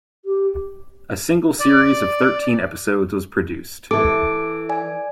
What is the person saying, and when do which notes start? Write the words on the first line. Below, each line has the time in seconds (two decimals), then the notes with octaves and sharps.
A single series of thirteen episodes was produced.
0.25 G4
1.60 D5
3.91 E3 A4 D6 D7
4.69 D5 G#5